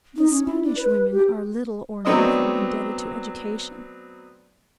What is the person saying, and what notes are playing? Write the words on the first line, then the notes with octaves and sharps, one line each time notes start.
The Spanish women are little or nothing indebted to education.
D#4
C#4
E4
D4
B4
B4
G4
F#3 A3 B3 C4 D4 D#5